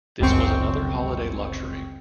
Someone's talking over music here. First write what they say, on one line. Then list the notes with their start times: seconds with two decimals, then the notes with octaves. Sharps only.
This was another holiday luxury.
0.20 G1 C#2 F#2 C4 C#6